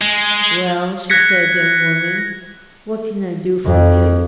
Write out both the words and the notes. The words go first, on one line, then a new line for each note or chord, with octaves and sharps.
"Well," she said, "young woman, what can I do for you?"
G#3
F#6 G#6 A#6 B6 C#7
F2